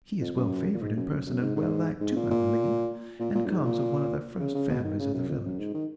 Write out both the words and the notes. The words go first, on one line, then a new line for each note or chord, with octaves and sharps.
He is well favored in person, and well liked, too, I believe, and comes of one of the first families of the village.
F2
F#2
A#2
G#2
F#2
F#2
F#2
G#2
G#2
G#2
A#2
A#2
A#2
A#2
F#2
G#2
A#2
C#3
C#3
B2
D#3
C#3
F#2
F2
F#2
G#2
D#3